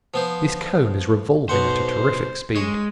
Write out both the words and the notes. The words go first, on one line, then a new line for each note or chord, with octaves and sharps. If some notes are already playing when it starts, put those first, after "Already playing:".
This cone is revolving at a terrific speed.
F3 B3 C5
B1 B2 C5 F#5
G#3 C#5